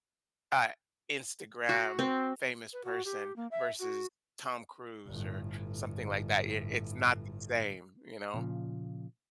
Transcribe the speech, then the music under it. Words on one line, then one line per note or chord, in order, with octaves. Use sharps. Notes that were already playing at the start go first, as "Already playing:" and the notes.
uh, Instagram famous person versus Tom Cruise or something like that, it it's not the same, you know?
F#4
C4
B4
F#4
G4
A#3
E5
F#4
G1 A2
A#2 C#3 F3